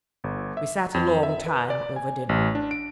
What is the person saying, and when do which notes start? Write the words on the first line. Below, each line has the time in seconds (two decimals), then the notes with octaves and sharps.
We sat a long time over dinner.
0.24 G1
0.57 E5
0.94 F2
1.23 E5
1.46 B4
1.70 D5
1.96 G#5
2.29 A1
2.55 D4
2.71 D7